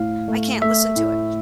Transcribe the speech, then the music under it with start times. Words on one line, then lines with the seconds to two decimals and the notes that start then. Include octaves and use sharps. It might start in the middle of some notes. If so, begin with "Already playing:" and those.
I can't listen to it.
Already playing: A2 F5
0.28 A3
0.62 A3 E5
0.96 A2